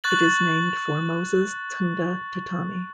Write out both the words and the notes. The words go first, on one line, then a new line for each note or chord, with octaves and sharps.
It is named for Moses Tunda Tatamy.
C#6 F#6 A6 F#7